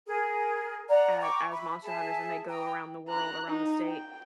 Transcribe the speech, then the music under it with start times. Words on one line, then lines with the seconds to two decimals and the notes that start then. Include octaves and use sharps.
a as monster hunters and they go around the world, around the state
0.06 G#4 A#4
0.89 D5 F#5 A#5
1.21 G5 A#5 C#6 D6
1.52 E5 B5
1.83 G#4 E5 A5
2.48 G5 A#5 D#6
3.09 A#5 F#6
3.48 D#4
3.85 G5